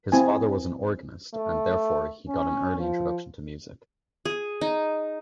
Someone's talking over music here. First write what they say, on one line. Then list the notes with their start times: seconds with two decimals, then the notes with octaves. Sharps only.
His father was an organist, and therefore he got an early introduction to music.
0.12 C4 E4 G#5
1.34 A3
2.28 C#4
2.79 F3
4.25 G#4
4.61 D#4